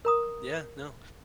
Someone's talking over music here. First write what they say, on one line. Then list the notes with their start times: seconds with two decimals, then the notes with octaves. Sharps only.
Yeah. No.
0.05 A#4 A#5 D#6